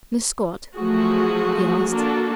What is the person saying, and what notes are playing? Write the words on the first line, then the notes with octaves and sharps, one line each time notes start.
"Miss Scott?" he asked.
F3 F#3 A3 F#4 G#4
A#3 D4 F#4 A4